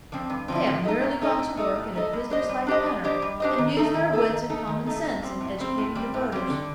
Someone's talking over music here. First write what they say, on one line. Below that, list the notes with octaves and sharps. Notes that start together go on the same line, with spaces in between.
They have merely gone to work in a business-like manner and used their wits and common-sense in educating the voters.
D3 F3 C4
G2
D3 F3 C4
A2
A3 D#4 A4 D#5
A2
A3 D#4 A4 D#5
A2
A3 D#4 A4 D#5
A2
A3 D#4 A4 D#5
G3
D4 G4 C5 D#5
G3
D4 G4 C5 D#5
G3
D4 G4 C5 D#5
G3
D4 G4 C5 D#5
D#3
A3 D#4 A4
D#3
A3 D#4 A4
D#3
A3 D#4 A4
D#3
A3 D#4 A4
A2
G3 C4
A2
G3 C4
A2
G3 C4
A2
G3 C4
D3